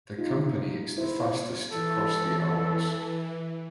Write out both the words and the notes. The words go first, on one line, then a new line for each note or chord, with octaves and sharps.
The company is the fastest to cross the Rs.
D#4 F4
E4 C5
E3 A4